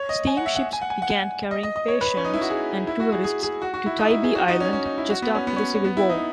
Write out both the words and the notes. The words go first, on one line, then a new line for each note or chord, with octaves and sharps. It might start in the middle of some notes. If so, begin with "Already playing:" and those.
Steamships began carrying patients and tourists to Tybee Island just after the Civil War.
Already playing: C#5
D#5
G#5
F#5
E5
F#5
G#5
F#5
G#5
F#5
D#5
D#5
D#5
C#5
B4
C#4
D#4
E4
F#4
G#4
E4
F#4
G#4
G#4
G#4
F#4
F#4
E4
D#4
E4
G#4
F#4
D#4
C#4
C#4
D#4
E4
F#4
B3
C#4
B3
C#4
C#4
B3
E4
D#4